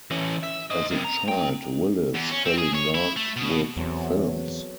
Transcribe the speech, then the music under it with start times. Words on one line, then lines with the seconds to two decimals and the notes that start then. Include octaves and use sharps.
As a child, Willis fell in love with films.
0.11 E3 C#4
0.44 E5
0.71 C5 D#5
0.91 F#2 C3
1.05 A#5
1.28 D4 G5
2.14 E2
2.31 C#4
2.46 C4
2.58 G#4
2.75 C#5
2.95 E4
3.16 A3
3.36 B2
3.77 E2 F#3 C4 A4